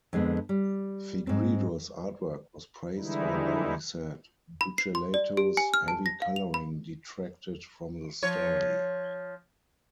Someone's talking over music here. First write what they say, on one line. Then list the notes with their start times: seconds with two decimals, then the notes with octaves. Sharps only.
Fegredo's artwork was praised although he said Buccellato's heavy colouring detracted from the story.
0.13 F2 D3 G#3 B3
0.49 G3
1.27 G#2 C4
2.98 D3 E3 G3 G#3 D#4 E4
4.61 B5
4.78 C7
4.95 C6
5.14 D5
5.37 G4
5.57 G#5
5.74 F6
5.88 A5
6.06 A#6
6.22 F5
6.36 F7
6.54 B5
8.23 F3 C#5